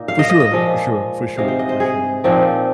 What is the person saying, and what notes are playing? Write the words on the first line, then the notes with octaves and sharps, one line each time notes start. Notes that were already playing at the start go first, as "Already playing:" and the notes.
For sure, for sure, for sure, for sure.
Already playing: A#2 A#3 D#4
F5
D#5
D#5
D#5
A#2 F3 G#3
C3 G#3 D#4 F5
C5
D#5
C5
G#4
A#2 F3 C4 D#4